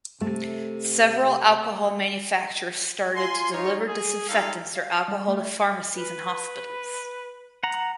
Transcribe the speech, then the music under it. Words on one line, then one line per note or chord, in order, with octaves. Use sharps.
Several alcohol manufacturers started to deliver disinfectants or alcohol to pharmacies and hospitals.
C3 A3
F4 G#5 C6
D#4 F4 C#5
G#4
G3 D#4 F4 A4 F5
F5
G3
A3
B4
F#5 A#5